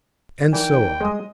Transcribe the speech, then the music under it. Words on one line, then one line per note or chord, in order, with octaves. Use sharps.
And so on.
E3 D#4 A#4 D5 G5
G3 G#3 D#5 D#6